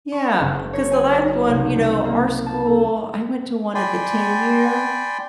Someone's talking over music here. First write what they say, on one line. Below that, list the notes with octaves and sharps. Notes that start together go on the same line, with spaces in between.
Yeah, 'cause the last one you know, our school I went to one at the ten-year,
C#6
F#1
C#5
G#5
D#4
C2
G3
A#3
A5
A4
D5 G5 G#5 B5 C6